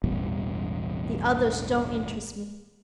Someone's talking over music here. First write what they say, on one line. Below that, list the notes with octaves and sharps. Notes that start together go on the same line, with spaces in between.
"The others don't interest me."
A1 E2 G2 B2